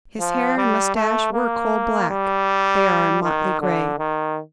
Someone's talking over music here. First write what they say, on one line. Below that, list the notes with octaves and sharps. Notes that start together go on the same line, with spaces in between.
His hair and mustache were coal black; they are a motley gray.
F3
G3
A3
A#3
G3
D#3
D3
D#3